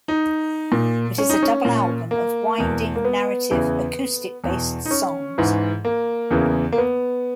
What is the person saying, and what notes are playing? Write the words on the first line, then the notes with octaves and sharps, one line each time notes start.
It is a double album of winding, narrative, acoustic-based songs.
D#4
A#2
C#4
D#4
C#4
A#2
A#3
E2 B2
A#3
B3
E2 C#3 E3
E2 B2
D#4
C#4
G#2 E3
A#3
E2 C#3 E3
A#3
B3